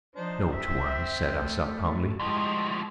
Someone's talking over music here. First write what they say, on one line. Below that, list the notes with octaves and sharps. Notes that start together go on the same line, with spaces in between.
"No, Tuan," said Arsat, calmly.
F3 D4 D#4 C5
C4 E5
A3
D2 F3 G#3 E4 G4 D#5